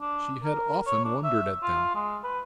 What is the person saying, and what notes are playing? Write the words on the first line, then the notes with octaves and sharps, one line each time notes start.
She had often wondered at them!
D4
A#4
C#5
D4
E5
F4
G#3
B4